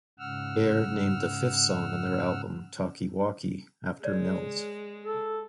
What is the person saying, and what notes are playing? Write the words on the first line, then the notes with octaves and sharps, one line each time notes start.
Air named the fifth song on their album "Talkie Walkie" after Mills.
G#2 C#3 F#5 E6 F6
G#3 A#4 C#5 D5
A4